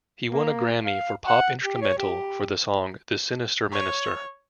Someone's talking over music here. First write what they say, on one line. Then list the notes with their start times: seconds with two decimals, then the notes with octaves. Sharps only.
He won a Grammy for Pop Instrumental for the song "The Sinister Minister".
0.25 A#3
0.85 F5
1.27 F#5
1.63 G4
1.82 C#5
1.98 G4
3.72 C#5